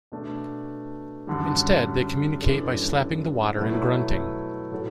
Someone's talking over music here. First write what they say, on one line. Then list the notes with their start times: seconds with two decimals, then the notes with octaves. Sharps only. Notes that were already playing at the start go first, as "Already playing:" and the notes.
Instead, they communicate by slapping the water and grunting.
0.12 B2 A3 D4
1.27 F#2 D3 G3
2.42 F#2 E3 G3 D4 A4
3.56 B2 F#3 A3 E4
4.72 A2 F#3 B3 F#4 A4